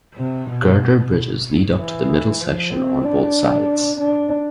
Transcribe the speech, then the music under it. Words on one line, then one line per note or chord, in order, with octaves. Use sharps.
Girder bridges lead up to the middle section on both sides.
C3
B2
E3
F3
C4
D4
D4